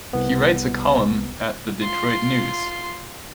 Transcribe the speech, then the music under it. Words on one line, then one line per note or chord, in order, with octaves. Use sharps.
He writes a column at "The Detroit News".
C2 B3
F4 C6